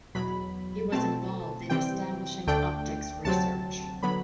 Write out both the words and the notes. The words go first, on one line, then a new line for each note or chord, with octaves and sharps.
He was involved in establishing optics research.
E2 B2 F#3 B5
B2 A3 C4 A5
C3 E3 G3 C4 G5
D2 D3 A3 D4 G5
D2 C3 F#3 C4 A5
D3 F#3 B3 B5